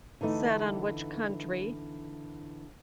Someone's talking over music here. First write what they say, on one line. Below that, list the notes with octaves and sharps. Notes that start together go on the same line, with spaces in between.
set on which country,
D3 E3 A3 D#4